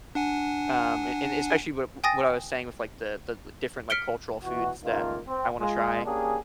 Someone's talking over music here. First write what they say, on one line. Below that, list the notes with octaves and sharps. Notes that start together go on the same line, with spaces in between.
um, and and especially wi w what I was saying with, like, the the li different, like, cultural foods that I wanna try.
D4 F#5 G#5
G5 G#5 D#6 A6 A#6
F6 B6 C#7 D7 G7
B2 E3 F#4
C#2 D#3 A3 A#3 D#4 F4
C4
G#3 F4
A#3 C#4 D4 G4 G#4